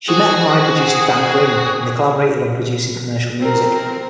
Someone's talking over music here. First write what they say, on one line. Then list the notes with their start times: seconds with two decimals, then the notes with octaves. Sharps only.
She met and married producer Dan Green, and they collaborated on producing commercial music.
0.09 D#3 C4 F#4 G#4
3.40 C4 A#4